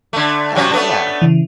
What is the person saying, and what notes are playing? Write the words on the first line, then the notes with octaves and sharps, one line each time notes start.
Yeah, yeah.
D3 A3
C3 F#3 C#4
A3 B3 D4
C#3 E3